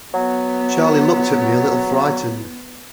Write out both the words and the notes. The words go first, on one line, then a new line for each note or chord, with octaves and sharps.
Charley looked at me a little frightened.
F#3 B3